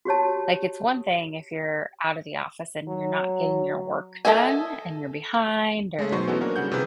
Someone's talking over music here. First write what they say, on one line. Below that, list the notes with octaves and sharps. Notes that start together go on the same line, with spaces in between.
Like, it's one thing if you're out of the office and you're not getting your work done and you're behind or,
F#4 G4 C#5 A5
F#3
A4 C5 D#5 E5 G#5
G#3 A3
B2 F#3 D#4 C5 C6 C#6
E3 B3 C#4 D#4 F#4 A4
A#3 D4 F#4 A#4
C#3 G3 F#5 G6
C3 D#3 F3 G#4 B4